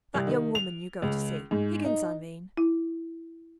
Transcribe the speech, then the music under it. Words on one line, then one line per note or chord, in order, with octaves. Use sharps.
'That young woman you go to see--Higgins, I mean.'
C2
D#3
F7
C#2
G#2
D#4
E4